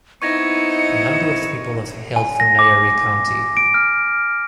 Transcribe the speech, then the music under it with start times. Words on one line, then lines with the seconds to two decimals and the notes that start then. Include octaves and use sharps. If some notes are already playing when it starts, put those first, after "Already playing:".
A number of people have hailed from Nyeri County.
0.22 B3 C4 D#4 E4 C#6 G#6 A#6 C#7
2.16 G#5
2.40 A#6
2.59 D6
3.57 D7
3.74 F6